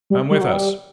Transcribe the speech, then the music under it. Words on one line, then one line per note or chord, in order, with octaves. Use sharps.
"Come with us!"
G3
G3
F#3
G3